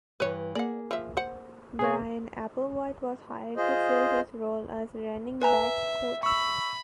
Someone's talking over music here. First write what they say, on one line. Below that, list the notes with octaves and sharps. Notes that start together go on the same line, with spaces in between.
Brian Applewhite was hired to fill his role as running backs coach.
G2 E3 B4 C#5
A#3 G#4 D5 F#5
F3 E5
C5 F#5
C3 B3 G#4 C#5
F4 G#4 C5 D#5
B4 E5 G#5 A#5
B5 C#6 E6